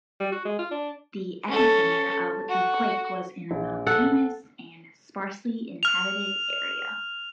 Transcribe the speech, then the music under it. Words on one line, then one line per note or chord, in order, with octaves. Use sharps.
The epicenter of the quake was in a mountainous and sparsely inhabited area.
G3
F#4
G#3
F4
D4
C#4 A4
F#4
A#1
A4 F#5
F6 F7